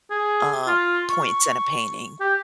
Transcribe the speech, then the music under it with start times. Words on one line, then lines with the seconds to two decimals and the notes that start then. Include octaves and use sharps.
um, points in a painting."
0.11 G#4
0.68 F4
1.10 C#6
2.21 G4